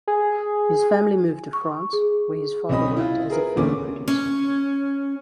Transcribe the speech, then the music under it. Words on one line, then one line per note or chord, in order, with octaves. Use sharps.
His family moved to France, where his father worked as a film producer.
G#4
C#6
G#4
B1 C4 C#4 D#5 B5 D#6
E4 F4
G#4 A#4 B4
E2 A#2 D3 A3 C#4 D6
C#4